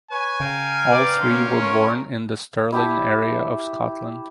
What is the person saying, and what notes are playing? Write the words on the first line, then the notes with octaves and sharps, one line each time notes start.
All three were born in the Stirling area of Scotland.
B4 C#5 G#5
C#3 A#4 F5 G5
B4 D5
A#3 C#4 C6
A3 F4 A#4 C#5
E4 G4 E5 A5